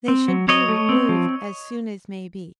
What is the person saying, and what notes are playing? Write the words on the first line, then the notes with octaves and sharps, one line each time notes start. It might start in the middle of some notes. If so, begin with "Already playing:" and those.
They should be removed as soon as may be.
C4
F#3
F#3 C#5 D#5
A3
C4
F3